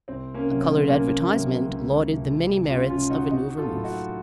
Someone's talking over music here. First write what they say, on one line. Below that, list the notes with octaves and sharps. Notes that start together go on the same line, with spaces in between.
A coloured advertisement lauded the many merits of a new vermouth.
C2 C4
A#3 C#4
C3 D#3 F#3
C4
C2 A#3 C#4
C3 D#3 F#3
C#2
C3 F3
C#2
C#4 F4
C3 F3 C#4 F4
D#4 F#4
A#1 D#4 F#4
F4 A4
A2 F#3
D#4 F#4